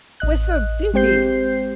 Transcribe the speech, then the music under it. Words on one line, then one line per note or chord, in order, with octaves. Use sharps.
"We're so busy."
A1 D#5 F#6
G#3 C4 G4 C5 G6 C7